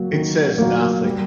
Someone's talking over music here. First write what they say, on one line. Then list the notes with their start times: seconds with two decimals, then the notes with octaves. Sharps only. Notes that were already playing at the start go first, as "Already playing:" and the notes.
It says nothing.
Already playing: F#3 A#3
0.13 D#3
0.58 F#3 A#3
1.04 G3